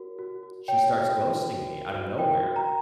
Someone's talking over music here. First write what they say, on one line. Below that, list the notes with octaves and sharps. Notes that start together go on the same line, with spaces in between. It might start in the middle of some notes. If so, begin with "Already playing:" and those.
she starts ghosting me out of nowhere,
Already playing: F#4 A#4 C#5
F#4
F#4
C#5 G5
F#4
F#4
F#4
A#4
F#4
A#4 G5
F#4
A#5